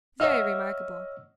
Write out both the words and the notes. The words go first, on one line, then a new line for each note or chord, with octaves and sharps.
Very remarkable!'
C#5 D#5 E5 F#5 E6 F6